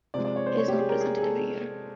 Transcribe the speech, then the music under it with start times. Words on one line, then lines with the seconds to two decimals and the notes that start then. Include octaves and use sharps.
It is not presented every year.
0.14 C3 F3 G#3 D5
0.25 D5
0.36 C#5
0.46 C5
0.57 C#5
0.68 G4
0.79 G#4
0.89 A#4
1.01 G#4
1.17 G#4
1.22 A4